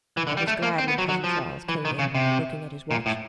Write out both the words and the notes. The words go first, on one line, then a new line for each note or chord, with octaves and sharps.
I was glad when Cousin Charles came in, looking at his watch.
E3
D3
G3
A3
A#3
C4
B3
F#3
F#3
F3
E3
D#3
C#3
C3
A#2
A2